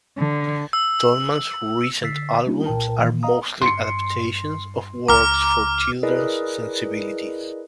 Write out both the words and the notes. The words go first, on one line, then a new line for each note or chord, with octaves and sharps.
Tallman's recent albums are mostly adaptations of works for children's sensibilities.
D3
E6
D3 E6 A6 B6 C7
G3 A#3 C#4 D4 E4 F#4
C2 A#2 A#4 G5 A5
A#2 D#3 E3 A#3
D#5 F5 A#5 D#6
G2 C6 C#7
C#2 A#5 D6 F6
E4 G#4 A#4 B4 D5 D#5